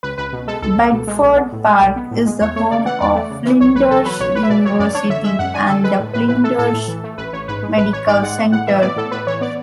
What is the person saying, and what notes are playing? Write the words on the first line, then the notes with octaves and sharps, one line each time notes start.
Bedford Park is the home of Flinders University and the Flinders Medical Centre.
C#2 B4
C#2 B4
B2
G#3 A4
C#2 A4
C#2
B2
G#3
B1
B3
A2
G#3
B1
B3
A2
G#3
E2 C#5
A3 C#5
C#3 D5
E3 F#5
E2 D5
A3
C#3
E3
B1 C#5
B1 B4
B2 A4
F#3 B4
B1 C#5
B1 B4
E5
B2 D5
F#3 C#5
F#2 D5
D4 C#5
D3 E5
G#3 E5
F#2 F#5
D4 G#5
D3 A4
G#3 B4
A2
A2 B4
E3 B4
A3 A4
A2 A4
A2
E3
A3
A1 B4
A1 C#5
G#2 B4
G#3
A1 B4
A1 C#5
G#2 D5
G#3 F#5
A2
A2 F#5
E3 E5
B3 D5
A2 A4
A2 B4
E3 C#5
B3 D5